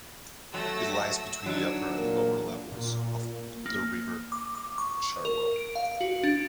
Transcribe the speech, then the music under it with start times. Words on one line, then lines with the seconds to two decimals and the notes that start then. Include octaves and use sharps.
It lies between the upper and lower levels of the River Cherwell.
0.54 F#3 A3 E6 A#6
1.10 E6
1.46 F#3 D4 D#4
1.91 A#2
2.72 A#2
3.66 A#3
4.32 D6
4.55 D6
4.78 C#6
5.25 A#4
5.56 D7
5.76 F5
6.01 F#4
6.23 D4